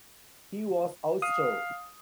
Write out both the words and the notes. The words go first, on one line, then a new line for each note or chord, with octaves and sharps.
He was austere.
F5 D#6